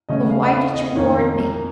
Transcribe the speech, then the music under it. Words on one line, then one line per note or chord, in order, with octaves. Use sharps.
But why did you warn me?
C#3 A3 C#4 D#5
F5
D#5
F5
D#5
F2 D#3 A#3 C#4 C#5
A#4
A#4